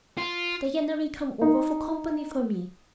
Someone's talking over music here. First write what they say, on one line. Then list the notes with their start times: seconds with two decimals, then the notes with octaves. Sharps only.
Diana will come over for company for me.
0.18 F4
1.41 D#4